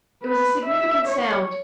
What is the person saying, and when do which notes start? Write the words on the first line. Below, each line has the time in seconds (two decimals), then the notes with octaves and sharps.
It was a significant sound.
0.23 B4
0.65 E5
1.08 C#5